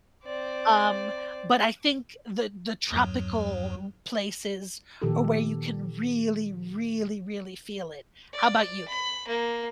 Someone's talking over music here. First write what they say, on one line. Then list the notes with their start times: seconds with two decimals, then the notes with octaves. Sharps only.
Um, but I think the the tropical r places are where you can really, really, really feel it. How about you?
0.23 C4 D5
2.92 E2 G2 F#3
5.02 A#2 D#3 F3 G4 A4
8.33 D5
8.88 B5
9.28 A#3